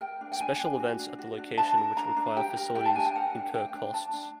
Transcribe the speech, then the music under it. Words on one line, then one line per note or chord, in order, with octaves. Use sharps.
Special events at the location which require facilities incur costs.
A#4 G5
D4
G5
D4 G#5
D4
F#4
D4
F#4
D4
D4 A5
A#4
D4 A#5
D4
G4 G5
A#4
G4 G5
A5
D4 G#5
G5
A#4 F#5
D4
D4 G5
D4
D4 A5
D4